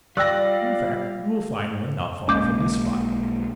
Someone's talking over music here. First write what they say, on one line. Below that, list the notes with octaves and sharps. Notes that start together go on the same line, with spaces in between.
"In fact you'll find one not far from this spot."
G3 F4 D5 F5 G5 E6 F#6 A#6
B1 G#3 A#3 C#4 D6 G6